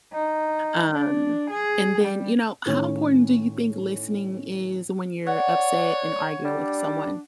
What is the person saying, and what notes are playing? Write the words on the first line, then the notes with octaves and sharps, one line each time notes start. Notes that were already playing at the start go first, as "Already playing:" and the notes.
Um, and then you know, how important do you think listening is when you're upset and arguing with someone?
D#4
D4
G#4
G3
A2 D#3 C#4 C#5
C#5 D5 F#5
G3 D4